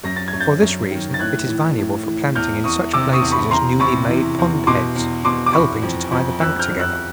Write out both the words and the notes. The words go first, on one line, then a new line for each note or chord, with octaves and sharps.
For this reason it is valuable for planting in such places as newly-made pond-heads, helping to tie the bank together.
F#2 A#6
A6
G#6
F#2
G6 A6
F#2
D#3
A6
A2 F#6 G#6
E3
A2
E3
E2 F6 G6
E2 C#6 D#6
C3 D6 E6
C#6 D#6
E2
B5 C#6
E2 A#5 C6
C3 B5 C#6
E3
E2
B2 C6 D6
E2
B2 C6 D6
D6
E2 B5 C#6
F2
F2
F2 E6 F#6
F6 G6
F2
E6 F#6